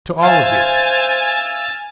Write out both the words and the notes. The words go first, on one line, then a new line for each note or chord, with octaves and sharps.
To all of you.
C5 E5 F5 G#5 E6 F6 A6